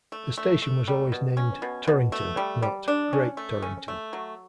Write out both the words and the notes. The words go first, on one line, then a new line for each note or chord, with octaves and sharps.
The station was always named 'Torrington', not 'Great Torrington'.
A3
A3
A3
G3
B2
C#4
B2
B2
A3
G3
G3
D4
C#4
A3
C#4
A3
F#3